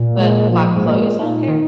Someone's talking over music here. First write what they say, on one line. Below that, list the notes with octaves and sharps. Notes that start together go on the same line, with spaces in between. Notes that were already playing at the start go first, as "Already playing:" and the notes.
but my clothes, I don't care.
Already playing: A#2
G#3
F3
G#2
A#2 G#3
A#2 D#4
D#3